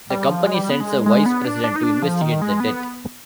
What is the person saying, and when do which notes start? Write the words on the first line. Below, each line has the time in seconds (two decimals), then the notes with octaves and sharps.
The company sends a vice president to investigate the death.
0.10 G3
0.29 F3
0.47 G#3
0.54 G3
0.70 B3
0.80 G#3
1.06 G#3
1.26 B3
1.45 D4
1.64 D4
1.76 D#4
1.83 D4
2.02 F3
2.22 D#3
2.42 G#3
2.60 B3